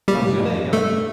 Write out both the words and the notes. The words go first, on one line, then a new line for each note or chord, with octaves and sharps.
How's your day going?
A#2 G3 G4
A2
G2
F2
G2
A3 A4